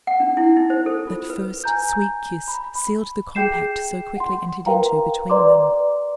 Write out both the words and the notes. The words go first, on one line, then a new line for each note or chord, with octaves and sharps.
That first sweet kiss sealed the compact so quickly entered into between them.
F#5
D4
E4
D#4
C5
A4
F4
B4
G#5 A#5 G6
B5
B5
G#4 G5 G6 C7 E7
F#5 C6
A#4 B4 F5 G5 A#5
B4 D5 A#5 C6 D6